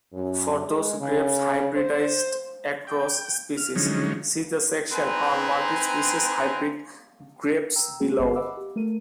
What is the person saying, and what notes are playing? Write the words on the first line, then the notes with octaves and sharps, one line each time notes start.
For those grapes hybridized across species, see the section on multispecies hybrid grapes below.
F#2
G#3
C#3
C5
G5
F6
D3 F3 F#3 G#3 C#4 D#4
C4 D#4 B4 G#5 A#5 C6
G5 A#5 E6
G#3 A#3 C#4 F#4 G#4
G1 B3 G4 G#4 B5 C7
D#5 E5 F#5 B5 D6 E6
G4
A3 A#4 D#7